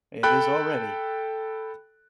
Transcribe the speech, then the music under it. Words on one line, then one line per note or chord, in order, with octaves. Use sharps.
It is already.
A4 G5 B5 F#6